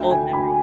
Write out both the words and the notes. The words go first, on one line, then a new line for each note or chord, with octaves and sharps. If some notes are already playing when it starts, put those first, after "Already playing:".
old memories.
Already playing: D2 G5
D3 G#5
D2 B5